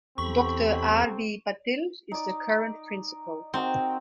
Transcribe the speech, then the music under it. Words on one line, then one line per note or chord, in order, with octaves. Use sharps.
Doctor R. B. Patil is the current Principal.
E2 C3 C4 G4 A4 B5 C#6
D#4 D5
C4 D#4 F#4 A#4